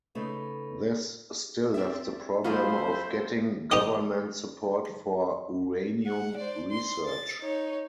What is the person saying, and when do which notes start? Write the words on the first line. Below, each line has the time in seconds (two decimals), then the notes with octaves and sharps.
This still left the problem of getting government support for uranium research.
0.15 C#3 A3 D#4 B4
1.74 C4 D5 E5
2.44 F#3 A#3 F4 F#4 G#4 C5 E5 B5
3.71 D#4 G4 D#5
6.07 F#5
6.37 C5 D5
6.71 C6
7.06 A6
7.41 D#4 C#5